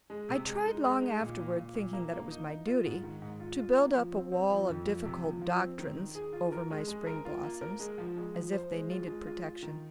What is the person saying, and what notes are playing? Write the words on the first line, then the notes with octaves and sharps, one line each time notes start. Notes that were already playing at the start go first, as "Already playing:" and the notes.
I tried long afterward, thinking that it was my duty, to build up a wall of difficult doctrines over my spring blossoms, as if they needed protection.
G#3
C3
G#3
D#4
G#3
D#4
A#2
A#2
A#2
A#2
A#3
A#3
D#4
D#4
F4
G#2
D#3
G#2
F4
F4
A#3
F3
C4
C4
F3
F2
F3
C3
F3
F3
C4
D#3
D#3
G#4
F4
A#4
G#3
G#3
A#4
F4
A#3
A#4
G#3
F3
G#3
F3
C5
G#3
F4
G#3
F4
F4
D#3